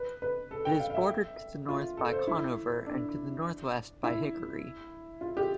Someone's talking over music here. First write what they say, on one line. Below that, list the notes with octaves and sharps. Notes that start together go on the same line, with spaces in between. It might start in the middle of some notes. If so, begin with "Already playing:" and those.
It is bordered to the north by Conover and to the northwest by Hickory.
Already playing: B4
B4
A4
G5
F5
F5
E5
F4
A4
C5
E4
D4
E4
F4
G4